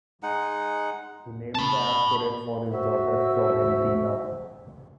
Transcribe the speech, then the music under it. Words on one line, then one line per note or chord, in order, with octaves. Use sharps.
He named the asteroid for his daughter, Florentina.
G#3 D#4 F#5
A5 B5
F#4 C5 E5